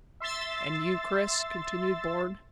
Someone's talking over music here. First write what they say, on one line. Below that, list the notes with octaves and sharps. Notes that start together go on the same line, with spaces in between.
"And you, Chris?" continued Bourne.
E5 C6 E6 A6